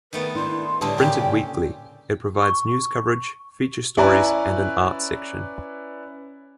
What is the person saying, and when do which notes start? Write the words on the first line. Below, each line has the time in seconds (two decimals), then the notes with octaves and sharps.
Printed weekly, it provides news coverage, feature stories, and an art section.
0.13 D#3 A3 B3 B4
0.35 D4 E4 C6
0.81 A2 D3 G3 G#4 B4 A5
0.98 A#2 C#3 F4 G4 G5
2.42 C#6
3.97 C#4 E4 B4 D5 G#5 A#5